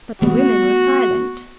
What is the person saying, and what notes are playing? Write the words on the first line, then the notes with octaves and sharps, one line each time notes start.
But the women were silent.
E3 A3 B3 F#4